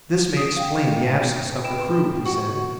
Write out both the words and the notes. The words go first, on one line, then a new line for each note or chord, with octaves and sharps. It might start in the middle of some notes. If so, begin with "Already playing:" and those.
"This may explain the absence of the crew," he said.
D#6 D7
F5 G5
B4 G5 B5 D7 E7
F#4